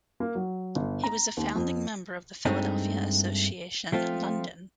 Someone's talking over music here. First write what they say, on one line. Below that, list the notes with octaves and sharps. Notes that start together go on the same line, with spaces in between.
He was a founding member of the Philadelphia Association, London.
A#3
F#3
G1
A#5
D#2
F2
G2 G#3 A3 C4 D#4
F3 A3 C4 F4